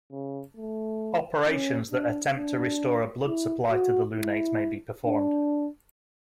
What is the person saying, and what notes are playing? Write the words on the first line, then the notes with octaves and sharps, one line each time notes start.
Operations that attempt to restore a blood supply to the lunate may be performed.
C#3
A3
C#4
D4
D4
E4
F#4
E4
D4